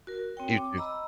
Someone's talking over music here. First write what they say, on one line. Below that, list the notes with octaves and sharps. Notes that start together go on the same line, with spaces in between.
You too.
F#4 A#4
C4 C#5 G5
D6
D#5 A#5 B5 E6